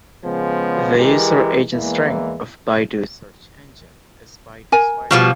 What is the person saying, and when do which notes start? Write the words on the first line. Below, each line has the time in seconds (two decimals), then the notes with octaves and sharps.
The user-agent string of Baidu search engine is "Baiduspider".
0.24 C#3 F3 G#3 B3
0.97 E3 G#3 G4 A#4
1.72 E2 E3 G#3 A#3
4.72 A#4 G#5
5.11 B2 F3 G3 F#4